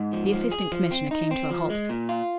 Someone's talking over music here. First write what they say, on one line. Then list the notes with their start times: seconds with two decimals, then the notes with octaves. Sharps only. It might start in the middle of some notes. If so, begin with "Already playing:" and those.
The Assistant Commissioner came to a halt.
Already playing: G#2
0.13 F3
0.32 F3
0.51 G#4
0.72 F3
0.91 C4
1.11 D#4
1.31 C4
1.50 F3
1.70 G#3
1.89 A#2
2.09 F4